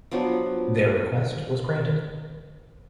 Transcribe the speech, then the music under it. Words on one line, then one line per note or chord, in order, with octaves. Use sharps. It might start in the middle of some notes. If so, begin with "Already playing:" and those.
Their request was granted.
F3 F#3 B3 D4